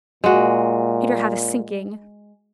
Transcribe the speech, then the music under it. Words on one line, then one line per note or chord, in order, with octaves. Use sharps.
Peter had a sinking.
A#2 G#3 F#4